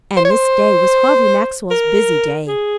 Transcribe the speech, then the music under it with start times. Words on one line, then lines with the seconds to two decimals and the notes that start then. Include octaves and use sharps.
And this day was Harvey Maxwell's busy day.
0.16 C5
0.25 C#5
0.31 C5
1.71 A#4
2.48 G#4